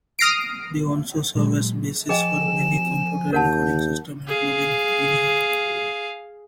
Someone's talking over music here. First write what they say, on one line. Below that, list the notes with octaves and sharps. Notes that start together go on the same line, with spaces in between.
They also serve as the basis for many computer encoding systems, including Unihan.
D#6 F6 A#6 C7 D7
A#2 F#3 G#3
F3 G#4 D#5 G5 G#5 E7
D#2 A#4 F#5 A5 G6
G#4 F5